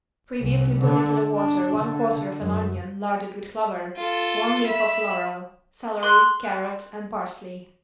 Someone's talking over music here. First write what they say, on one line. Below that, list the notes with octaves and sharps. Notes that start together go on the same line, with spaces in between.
Previously put into the water one quarter of an onion larded with clover, one leaf of laurel, celery, carrot and parsley.
C2
D3
D4
D3
F#2
F4 A4
E5 B5
C6 F#6